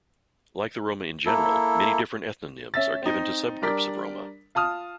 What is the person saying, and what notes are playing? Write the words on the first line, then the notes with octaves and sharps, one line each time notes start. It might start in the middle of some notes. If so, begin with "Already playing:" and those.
Like the Roma in general, many different ethnonyms are given to subgroups of Roma.
A#3 E4 A4
C#4 E5 A6
C4 D#4
G3 D4 A#4 D5 B6
F4 A5 D#6 F6